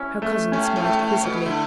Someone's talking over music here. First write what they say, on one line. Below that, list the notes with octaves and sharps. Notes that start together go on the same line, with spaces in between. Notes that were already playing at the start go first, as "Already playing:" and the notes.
Her cousin smiled quizzically.
Already playing: C#4 E4
A3
A2 C#4
A2
A3
A2
A3
B2
D3 E4